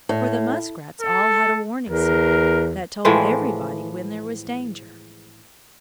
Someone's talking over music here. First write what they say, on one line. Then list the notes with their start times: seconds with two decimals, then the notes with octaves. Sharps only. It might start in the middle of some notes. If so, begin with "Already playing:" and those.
For the Muskrats all had a warning signal that told everybody when there was danger.
0.09 A2
1.01 A4
1.89 E2 A#4
3.05 A2 E3 F3 G#3